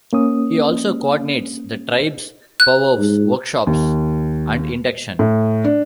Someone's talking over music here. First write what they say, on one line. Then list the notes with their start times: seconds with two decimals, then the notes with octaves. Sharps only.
He also coordinates the tribe's powwows, workshops and induction.
0.13 A#3 C#4 D#6
2.60 F#6
2.98 G#2
3.67 D#2
5.19 A2
5.64 D4